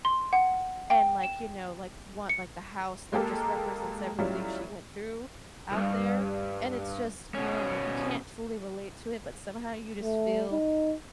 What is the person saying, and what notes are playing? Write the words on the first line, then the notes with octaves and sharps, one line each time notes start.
and, like, you know, like, f want like, the house, like, just represents everything she went through out there, and it's just man, like, you can't fully relate to it, but somehow you just feel
C6
F#5
G5
E7
C#7
G#3 A#3 G4 A4 A#4
A2 F#3 G3 C#4 F4
B1 G2
B2 C#4
A3
D#4